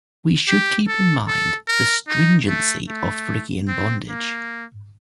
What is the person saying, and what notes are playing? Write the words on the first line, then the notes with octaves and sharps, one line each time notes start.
We should keep in mind the stringency of Phrygian bondage.
G4
A4
A4
A#4
D#4
A3
A3
C4
A#3